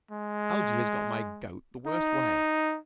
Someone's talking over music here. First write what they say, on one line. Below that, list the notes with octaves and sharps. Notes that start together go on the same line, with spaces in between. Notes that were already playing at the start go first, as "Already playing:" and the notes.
Algie has got my goat the worst way.
G#3
D#4